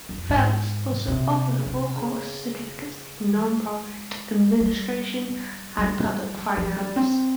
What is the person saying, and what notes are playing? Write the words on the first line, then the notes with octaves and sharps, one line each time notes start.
Fels also offers four-course certificates in Nonprofit Administration and Public Finance.
F2
G#2
C3
C#3
C3
C#3
G#3
G3
G3
F3
F3
G3
C4